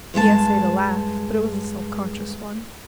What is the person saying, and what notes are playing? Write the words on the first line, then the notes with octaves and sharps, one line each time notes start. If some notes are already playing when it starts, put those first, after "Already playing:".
He essayed a laugh, but it was a self-conscious one.
G2 G#3 G#4 A5